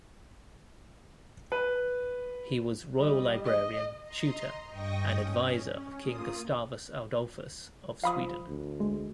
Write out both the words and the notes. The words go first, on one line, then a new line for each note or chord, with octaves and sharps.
He was royal librarian, tutor, and adviser of King Gustavus Adolphus of Sweden.
B4
G3 D#5
D#5
D#5 A#5 C6
G2 D#5 G5 C#6 D#6 A#6
C#4
C#4
A#3 F4 D#6
F3 F5 B5 D#6
D2
G#3